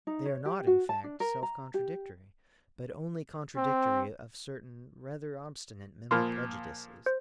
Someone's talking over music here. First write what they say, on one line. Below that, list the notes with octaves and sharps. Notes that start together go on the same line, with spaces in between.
They are not in fact self-contradictory, but only contradictory of certain rather obstinate mental prejudices.
D#4
C#5
G4
F#4
A5
D4
A#4
A#5
G4
C4
A#2 F3 A#4 B5 C6
C5